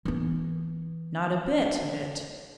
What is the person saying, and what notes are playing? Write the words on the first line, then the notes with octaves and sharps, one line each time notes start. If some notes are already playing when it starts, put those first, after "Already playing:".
'Not a bit of it.
E3 B3